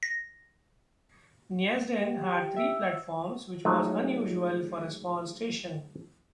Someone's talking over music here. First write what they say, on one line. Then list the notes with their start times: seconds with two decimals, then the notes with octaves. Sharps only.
Neasden had three platforms, which was unusual for a small station.
0.03 A#6
1.99 G4
2.56 E5 E6
3.65 F#3 G#3 A3 D#4